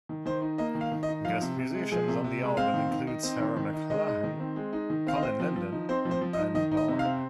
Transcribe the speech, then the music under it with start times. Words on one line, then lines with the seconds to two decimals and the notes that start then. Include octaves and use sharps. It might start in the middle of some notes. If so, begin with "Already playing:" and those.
Guest musicians on the album include Sarah McLachlan, Colin Linden and Anne Bourne.
0.09 D#3
0.26 D#3 C5
0.42 D#4
0.58 A#3 D#5
0.75 D#3
0.81 F5
0.92 D#3
1.03 D#5
1.09 D#4
1.25 F3 F5
1.41 C3
1.59 C3
1.75 G#3
1.92 F3 G#4
2.08 C3
2.24 C3
2.42 G#3
2.57 C4 F5
2.74 D#3
2.91 D#3
3.07 D#4
3.23 C4
3.40 D#3
3.57 D#3
3.73 D#4
3.90 G#3 D#5
4.07 D#4
4.24 D#3
4.40 C4
4.56 G#3
4.73 D#4
4.90 D#3
5.07 C4 F5
5.16 D#5
5.22 C4 C5
5.40 F3
5.56 F3
5.72 D#4
5.89 C4 C5
6.05 F3
6.11 C5
6.21 F3
6.33 D#5
6.39 D#4
6.55 D#3 D#5
6.72 D#4
6.77 D#5
6.88 C3
6.99 F5
7.05 C4